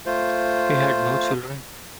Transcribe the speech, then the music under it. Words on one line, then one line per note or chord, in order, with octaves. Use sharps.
He had no children.
A3 F4 C5